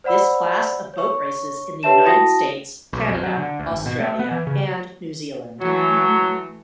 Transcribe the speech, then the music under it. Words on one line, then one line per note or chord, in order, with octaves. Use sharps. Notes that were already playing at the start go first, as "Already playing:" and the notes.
This class of boat races in the United States, Canada, Australia and New Zealand.
C5 D5 F#5 B5 E6
C#5 C#6
G4 B4 C#5 E5 A5 E7
E4 F#4 G5 A5 D#6 A#6
B1
F2
F#3
D3
D2
G#1
B2
A3
B3
E3
C#3
E3 F#3 A3